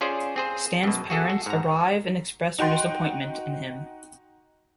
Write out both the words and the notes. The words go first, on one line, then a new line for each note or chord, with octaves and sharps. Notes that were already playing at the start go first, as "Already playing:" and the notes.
Stan's parents arrive and express their disappointment in him.
C#4 F4 G#4 C5 D5
C4 G#4 C5
F#2 B2
F#4 G#4 A4
F#4
G#2 A#5
D#4 F#4 G5 C6